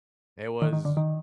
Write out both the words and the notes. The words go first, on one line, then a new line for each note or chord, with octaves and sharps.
It was
D#3
D#3
D3
D#3